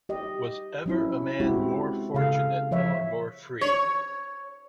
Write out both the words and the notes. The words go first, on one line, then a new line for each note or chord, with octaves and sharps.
Was ever a man more fortunate or more free?
G4 D#5
F#3 C#4 E4
G#3 C4 E4 F#4 G4
C#3 A4 F5
F3 C#5 E5
C#5